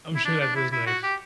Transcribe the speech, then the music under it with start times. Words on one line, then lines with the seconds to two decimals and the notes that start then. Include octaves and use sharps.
I'm sure that feels nice.
0.15 E4
0.25 D4
0.41 D4
0.56 E4
0.72 E4
0.87 F#4
1.03 G4